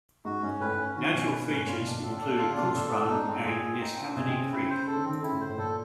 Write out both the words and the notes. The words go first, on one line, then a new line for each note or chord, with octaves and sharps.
Natural features include Cooks Run and Neshaminy Creek.
G#2 F#4
G#2 C#4
A2 B4
A2
C#4
D#3 F#4
B2 C#4
B4
G#2 C#4
A2
A#2 F4
B2
D4
A#2
A2 A4
D4
D3 F4
C#3
C3 D4
B2
A#2 A4
A2
D4
G#2
G#2 D#4
A2
G#2 C4
A2
A#2 G#4
C4
D#4
C4
B2 G#4
C3
C4
C#3
E4
C5
C#3 A4
D3
D#3 C4
D3
C#3 E4
A2
C5
A2
A#2 A4